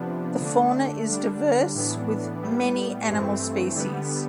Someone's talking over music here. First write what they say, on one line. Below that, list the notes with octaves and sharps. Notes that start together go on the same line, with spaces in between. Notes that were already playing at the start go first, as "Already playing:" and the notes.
The fauna is diverse with many animal species.
Already playing: C3 F3 B3 D4
D3 A3 D4
D3 G3 D4
A2 E3 B3 D4
A2 G3 B3
G2 E3 A3 C4
D3 G3 B3